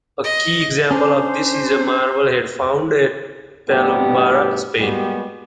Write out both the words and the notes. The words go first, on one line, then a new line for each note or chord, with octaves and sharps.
A key example of this is a marble head found at Palombara, Spain.
D#5
C#4 D4 C5
A1 G2 B2 B3 G4
G3 G#3 A#3 B3 F#4 G4